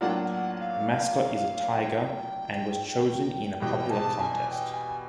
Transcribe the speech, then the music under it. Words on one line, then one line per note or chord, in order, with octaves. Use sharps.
The mascot is a tiger, and was chosen in a popular contest.
A2 F#3 A#3 D4 F4 F#5
G5
F#5
F#5
F#5
F5
F#5
G5
E2 B2 G3 G5
A5
G#5
G5
G#5